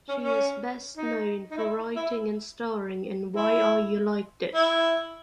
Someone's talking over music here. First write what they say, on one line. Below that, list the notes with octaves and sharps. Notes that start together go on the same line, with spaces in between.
She is best known for writing and starring in "Why Are You Like This".
C#4
C#4
D#4
D#4
E4
E4
E4
E4